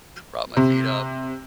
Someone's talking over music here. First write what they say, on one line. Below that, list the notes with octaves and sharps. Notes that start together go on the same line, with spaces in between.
prop my feet up,
C3